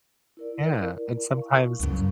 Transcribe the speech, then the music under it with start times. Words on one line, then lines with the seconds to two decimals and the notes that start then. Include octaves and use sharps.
Yeah, and sometimes
0.37 E4 A#4 D5
1.37 F5 C#6
1.79 C#2 F#2